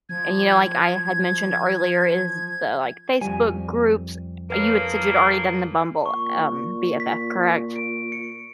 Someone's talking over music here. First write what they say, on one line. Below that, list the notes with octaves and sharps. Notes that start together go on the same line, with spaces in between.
And, you know, like I had mentioned earlier is the, like, Facebook groups, uh, you had said you'd already done the Bumble, um, BFF, correct?
F3 G#6
F2 G3 G#5
A2 C#3 A#3 B4 C#5
A#2 C#6
B6
D7
C#7